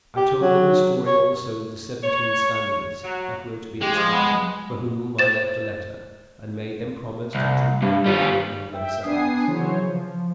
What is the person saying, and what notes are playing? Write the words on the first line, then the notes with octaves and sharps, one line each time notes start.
I told them the story also of the seventeen Spaniards that were to be expected, for whom I left a letter, and made them promise to treat them in common with themselves.
G4
F#3
C#5
C#5
F#3
G#3 G4
F3
B3
C5 A6 E7
C2
G2
G3 F4
E5 G5
B3 D4 G#5 D#6 C7
C#3 E3 F#3 C5 C#5
F3